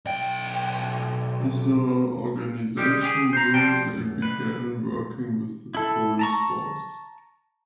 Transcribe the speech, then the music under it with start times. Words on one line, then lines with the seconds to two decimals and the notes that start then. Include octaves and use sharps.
As the organization grew they began working with the police force.
0.06 B1 G5
2.77 G3 G#3 G4
3.03 G4 G#4
3.33 C5 A#5
3.54 F3 G3 C4 G5 A5 C6
3.99 F#2
4.22 C2 B4
5.75 E4 A4
6.19 A5 A#5 C#6